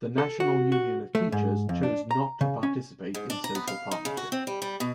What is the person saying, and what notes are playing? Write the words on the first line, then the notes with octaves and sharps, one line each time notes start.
The National Union of Teachers chose not to participate in social partnership.
A4
F#4
F#4
A3
G#2
F2
D4
A#5
C#3
C#4
G#2
D4
A#5
B3
F5
D#4
C#3
F#4
C4
G3
G3
B2